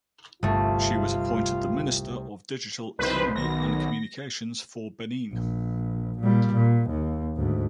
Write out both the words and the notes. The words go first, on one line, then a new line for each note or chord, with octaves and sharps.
She was appointed the Minister of Digital Economy and Communications for Benin.
G1 C2 A3 F4
F#1 C2 D#4 B4 C5
B1 D#3 B3 A#6
A#1
A#2 G3
A#2
D#2
D2 G#2